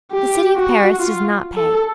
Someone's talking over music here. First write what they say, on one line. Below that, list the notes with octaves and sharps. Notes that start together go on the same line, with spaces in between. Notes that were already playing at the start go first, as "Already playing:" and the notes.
The city of Paris does not pay.
G4
F#4
F4
A4